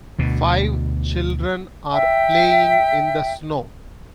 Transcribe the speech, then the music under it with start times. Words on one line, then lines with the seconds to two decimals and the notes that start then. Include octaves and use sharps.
Five children are playing in the snow.
0.19 D2 B2
1.93 E5 G5